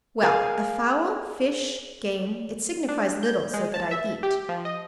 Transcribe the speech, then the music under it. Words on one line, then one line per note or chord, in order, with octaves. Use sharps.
"Well, a fowl, fish, game,--it signifies little, so that I eat."
G#4 A#4 F5 G#5
D4
G6
G#3
A5
E5
G4
F3
D#5